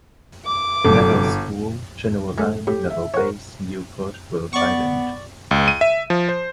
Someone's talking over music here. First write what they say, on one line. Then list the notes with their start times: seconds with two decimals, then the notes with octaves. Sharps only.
Naval School, General Line, Naval Base, Newport, Rhode Island.
0.45 D6
0.84 G1 C3 F#3 A4
2.38 G#3 A3
2.67 A2 G4
2.90 E5
3.14 A#4 C5 C#5 F#5 C#6
4.53 B3 D5 C#6
5.51 C#2
5.68 D#7
5.81 E5
6.10 F3
6.29 C5